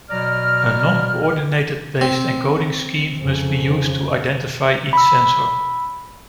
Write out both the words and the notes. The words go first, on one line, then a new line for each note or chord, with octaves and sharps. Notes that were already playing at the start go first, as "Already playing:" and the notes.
A non-coordinate based encoding scheme must be used to identify each sensor.
B2 F#3 D5 A#5 F6
C4
F2 C#3
B5 E6